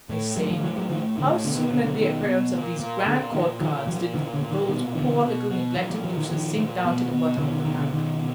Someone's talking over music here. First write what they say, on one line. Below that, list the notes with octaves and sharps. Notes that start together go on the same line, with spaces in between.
I say, how soon at the appearance of these grand court cards, did those poor little neglected deuces sink down to the bottom of the pack.
A2
A2 F#3 G#3
F3 G3
A2 E3 F#3
F#3 G#3
A2 D#3 F3
A2 D3 E3
B2 D3
D#3
B2 D3
D3
B2 D#3
B2
A#2
A#2
A#2 D3
A#2 D#3
A#2 D#3 F3
A#2 E3 F#3
A#2 D3 E3
D3
A#2
D#3
B2 D#3
B2 D3 E3
B2
B2
A#2 E3 F#3
F3 G3
A#2 E3 F#3
D#3 F3
A#2 D#3 F3
A#2
B2
B2
B2 D3 E3
D#3
B2 D#3
D3
B2 D#3
B2